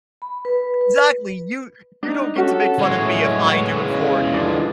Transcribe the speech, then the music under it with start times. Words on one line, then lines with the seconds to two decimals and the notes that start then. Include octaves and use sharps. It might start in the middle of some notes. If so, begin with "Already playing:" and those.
Exactly! "You you don't get to make fun of me if I do it for you!"
0.22 B5
0.45 B4
0.81 B4
2.03 D4 D#4
2.36 C#4 F#4 A4
2.79 A2 E3 F#3 G#3 C#5
3.74 C#3
4.34 D3 F3 D5